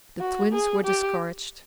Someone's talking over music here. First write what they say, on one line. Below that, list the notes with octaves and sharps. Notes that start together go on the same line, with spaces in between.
The Twins were discouraged.
F#4
G#4
G4